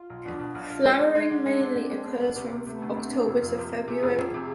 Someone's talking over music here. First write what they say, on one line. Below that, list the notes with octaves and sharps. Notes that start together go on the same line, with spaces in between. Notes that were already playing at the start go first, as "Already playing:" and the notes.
Flowering mainly occurs from October to February.
Already playing: F4
B1
B2 D4
B2
B1
F4
G#3
D3
G#3
D3
G#3 C4
D4
D3 C4
D3
G#3
B3 D4
D2
C3
C3
C3 A3
D2 C4
C3
D4
C3
F1 F4
F2
C3
C3
C3 G#4
F1
F1
C3